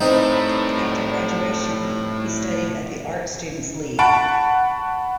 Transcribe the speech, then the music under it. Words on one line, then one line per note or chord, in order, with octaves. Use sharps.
After graduation, he studied at the Art Students League.
A2 G3 C4 D#4 B4
F#5 A5 B5 C#6 D7